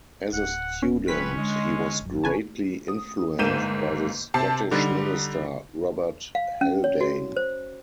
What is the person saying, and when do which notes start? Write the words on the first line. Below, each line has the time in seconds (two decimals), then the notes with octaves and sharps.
As a student, he was greatly influenced by the Scottish minister Robert Haldane.
0.33 D1 F#5
0.82 C#4
1.08 F#3 C4 C#4 B4 B6
1.37 D3 G#3 D4
2.02 F#1 F#2
2.24 F1 C#3 C#4 B4 C#5 G#5 A5
2.88 D#6
3.39 G1 G#2 A#3 G6 D#7 E7
4.34 C3 A5 C7
4.71 D3 G3 D#4
6.35 F5
6.61 C#4
6.84 C#5
7.01 F#4
7.36 C5